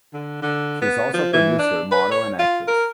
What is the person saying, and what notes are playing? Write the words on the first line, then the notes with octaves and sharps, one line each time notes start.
She is also a producer, model and actress.
D3
D3
B3
F3
E3
D4
B4
C#5
F4
A#4